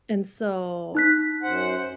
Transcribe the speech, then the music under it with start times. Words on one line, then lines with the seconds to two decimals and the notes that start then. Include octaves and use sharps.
and so
0.95 D#4 F#6 B6
1.43 F#2 C5 F#5